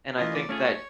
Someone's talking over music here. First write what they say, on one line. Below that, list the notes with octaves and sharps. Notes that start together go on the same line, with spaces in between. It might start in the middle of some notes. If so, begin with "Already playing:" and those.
And, I think that
E3 A3 C#4 F4 A#4 D#5
D5
A3 C#4 F4 G#4 C#5